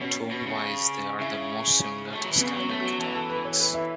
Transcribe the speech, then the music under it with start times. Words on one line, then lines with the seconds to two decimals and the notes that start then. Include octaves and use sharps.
Tone wise, they are the most similar to standard guitar picks.
0.01 B2 C#4
0.31 B2
0.47 C#3
1.20 C#3 E4
2.13 A3
2.22 F#3
2.31 E3
2.40 C#3 B3
2.55 F#3 C#4
2.70 A3
2.81 F#3 F#4
3.00 E3 A4
3.15 A4
3.30 B4
3.45 C#5
3.60 B4
3.74 E4